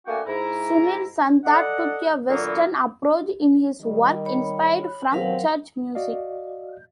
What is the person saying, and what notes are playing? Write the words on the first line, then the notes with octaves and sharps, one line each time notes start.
Sunil Santha took a Western approach in his work inspired from Church music.
A3 A#3 D4 F#4 G5 G#5
G#2 E4 A#5
A4 D5 D#5 F#5
A#2 D3 E3 F#3 A#3 B3
D#3 G3
C#5 B5
D#2 B2 F#3 C4 A#4 F5
F#4 D5 D#5 F5